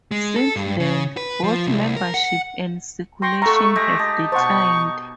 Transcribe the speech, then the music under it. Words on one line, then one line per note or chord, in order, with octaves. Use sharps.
Since then, both membership and circulation have declined.
G#3
A4
G2
C#3
B4
F3
C2
A#4
F#5
G5 C6 C#6 A#6
A3 A4 F5 F#5 A#5 C#6
G#3 G4 A#6
D#4 A5
B2 C5 F#5 A5 C#6